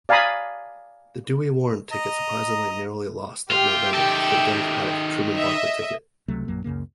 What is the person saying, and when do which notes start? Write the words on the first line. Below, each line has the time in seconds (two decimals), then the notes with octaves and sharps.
The Dewey-Warren ticket surprisingly narrowly lost that November, to the Democratic Truman-Barkley ticket.
0.09 D5 F5 G#5 A#5 B5 D#6
1.92 D#5 A#5
3.51 F4 G4 E5 G5
3.94 D#3 A4
5.37 D#5 E5
6.28 C#2 C3 F#3 A3
6.48 A#1 F#2 F#3 A#3
6.64 C#2 F#2 C#3 A#3